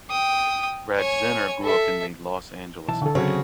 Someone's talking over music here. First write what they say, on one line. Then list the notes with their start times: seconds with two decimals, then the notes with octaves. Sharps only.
Radziner grew up in the Los Angeles area.
0.10 G5 D#6
0.99 C#5 G#5
1.63 A4 E5
2.88 B1 E3 A5
3.02 D3 A4
3.15 C#3 F#3 C4 F#4 G#4 C#5